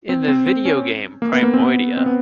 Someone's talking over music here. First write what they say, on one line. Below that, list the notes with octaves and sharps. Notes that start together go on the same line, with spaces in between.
In the videogame "Primordia".
C4
C4
C4
C#4
A#3
B3
A#3
C4
B3
C4
B3